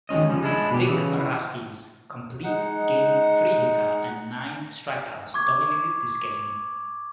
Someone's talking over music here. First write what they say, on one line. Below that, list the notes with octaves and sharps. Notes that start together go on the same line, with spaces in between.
Vic Raschi's complete-game three-hitter and nine strikeouts dominated this game.
D#3 G#3 C#4 D#5
C#3 F3 G3
G#3 D4 E4
B2 G4
C#3 E3
G#3 D#4 F#5
C#6 D6 G#6